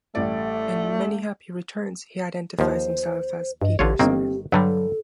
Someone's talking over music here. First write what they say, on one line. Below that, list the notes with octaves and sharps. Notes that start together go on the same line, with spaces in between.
In "Many Happy Returns" he identifies himself as 'Peter Smith'.
A1 G3 A3 D5
D#2 F3 C5
G2 D#5
A1 D3 F4 G4 C#5
G1 D#3 A#3 C4
G2 D3 F#3 G3 A4